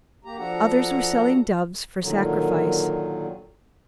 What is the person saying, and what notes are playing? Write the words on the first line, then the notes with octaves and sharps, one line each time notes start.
Others were selling doves for sacrifice.
A#3 G4 A#5
F3 D4 F#4 A4 F#5 A#5
A#2 D3 D#3 F#3